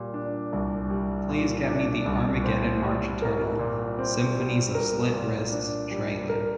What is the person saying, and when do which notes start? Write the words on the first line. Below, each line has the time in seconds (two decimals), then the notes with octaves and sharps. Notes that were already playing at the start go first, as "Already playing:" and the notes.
Please get me the Armageddon March Eternal – Symphonies of Slit Wrists trailer.
Already playing: A#2 G3
0.14 D4
0.52 C2
0.90 G3
1.29 A#2
1.68 D4
2.05 C2
2.44 C4
2.82 G3
3.22 A#4
3.59 A#2
3.99 C4
4.37 G3
4.75 A#4
5.14 A#2
5.52 D4
5.91 G3
6.29 A#4